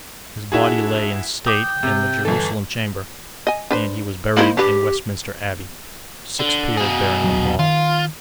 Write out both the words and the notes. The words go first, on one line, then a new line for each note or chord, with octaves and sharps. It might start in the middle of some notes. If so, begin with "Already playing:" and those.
His body lay in state in the Jerusalem Chamber, and he was buried in Westminster Abbey, six peers bearing the pall.
D4 E4 F#4 G#4
G5 D6 D#6
C3
G1 E3 A4
D#5 G#5
D4 B4 C5
A#3 D#4 E4 C5
D4 G4 B4
D3
B2 G#4
D#1 F#3
D#3 F4